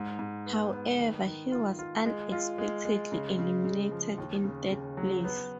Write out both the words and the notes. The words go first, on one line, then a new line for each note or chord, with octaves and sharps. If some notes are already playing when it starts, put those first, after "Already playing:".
However, he was unexpectedly eliminated in third place.
Already playing: G#2
G#2
B3
B3
D#3
D#3
F4
F4
G#3
F4
G#3
G#3
C#3
C#3
C#3
F3
D#2
C#3
C#3
F#3
B3